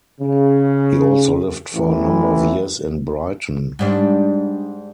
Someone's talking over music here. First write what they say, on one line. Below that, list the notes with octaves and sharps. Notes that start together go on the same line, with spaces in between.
He also lived for a number of years in Brighton.
C#3
A1 E3
G#2 G3 D4